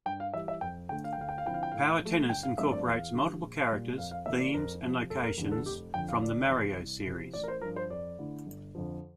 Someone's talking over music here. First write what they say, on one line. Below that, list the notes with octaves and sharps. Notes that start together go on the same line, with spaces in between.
"Power Tennis" incorporates multiple characters, themes, and locations from the "Mario" series.
G2 G5
F5
E3 G3 E5
E5
F2 G5
D3 A3 G5
F5
G5
D2 F5
G5
F5
D3 F3 C4 E4 G5
F5
G5
A2 F5
F3 A3
G1 G5
F5
G2 F3 A3 C4 E5
D5
E2 F5
D3 G3 D4
A#1
A#2 G3
F2 F5
F5
C3 E3 A#3 E5
D5
F2 A#4
C3 F3
F1 A4
A#4
E2 D3 G3 D4
A4
F1 G4
F2 D3 F3 G5
F5
D2 D5
C3 E3
C2
C3 F3 C4 E4
A1 D5
A#4
C5
G2 F3 A#4
C5
F2 D5
D3 A3 E4
G1
F2 D3 F3